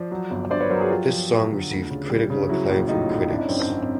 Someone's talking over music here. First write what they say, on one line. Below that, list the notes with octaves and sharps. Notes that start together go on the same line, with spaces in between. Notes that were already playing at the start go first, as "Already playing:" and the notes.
This song received critical acclaim from critics.
Already playing: F3 C5 D5
F#3
G1
G2 C5 D5
B4 C#5
F#3 A#4 C5
F#4 G#4
F3 F4 G4
F3
F3
D3
D2
C#3
G3
C#3
F#3 E4 F#4
A#1
A2 D#4 F4
A#1
G#1 D4 E4
C#4 D#4
F#2 C4 D4
C4 D4
G#1